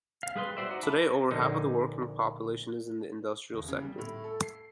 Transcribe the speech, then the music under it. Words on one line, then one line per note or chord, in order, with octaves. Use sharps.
Today over half of the working population is in the industrial sector.
F5
G3 G#4 B4 C6
F#4 C5 D5 E5
D#4 F#5
E5 A5 B5 D6
A#1 D3 D#4
E1
C#3
G3
A2
A4
C7